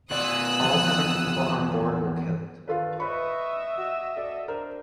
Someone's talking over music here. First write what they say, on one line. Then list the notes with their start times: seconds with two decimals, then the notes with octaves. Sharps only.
All seven people on board were killed.
0.11 B2 D5 D#6 E6 F#6
0.61 E2 F3
2.68 G2 D#3 F4 A4 B4
3.00 B4 D#5 E5 B5 C#6
3.78 F#4 E6
4.17 F#4 A4 D5
4.48 D4 A#4 C5